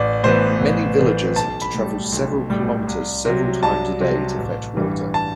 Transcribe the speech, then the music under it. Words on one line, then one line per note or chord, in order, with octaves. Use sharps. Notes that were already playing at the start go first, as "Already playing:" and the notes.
Many villagers have to travel several kilometres several times a day to fetch water.
Already playing: A1 D5
A2 E3 B3 C5
A1
A2 E3 B3
B1 A5
B5
A2 G3
B1
A2 G3
C2
C3 F#3
C2 A5
C3 F#3
A1
G2 E3 G3
A5